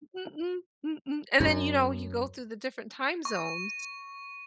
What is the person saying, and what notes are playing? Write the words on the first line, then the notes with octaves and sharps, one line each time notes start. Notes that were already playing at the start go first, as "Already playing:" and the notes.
Mm-mm, mm-mm, and then, you know, you go through the different time zones.
F#2
C#6